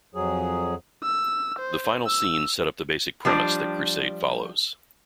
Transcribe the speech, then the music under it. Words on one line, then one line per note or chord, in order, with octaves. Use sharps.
The final scenes set up the basic premise that "Crusade" follows.
F2 F#3 G#4
E6
C5
E6
F3 G3 D4